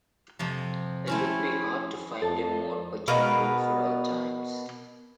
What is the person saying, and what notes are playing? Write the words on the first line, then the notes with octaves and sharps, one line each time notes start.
It would be hard to find a more pertinent book for our times.
F2 C3 F3
A3 C4 C#4 E4
F2 A4 A5
B2 A#4 B4 F5